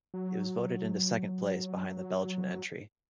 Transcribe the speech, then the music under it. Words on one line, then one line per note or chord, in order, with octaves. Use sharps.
It was voted into second place behind the Belgian entry.
F#3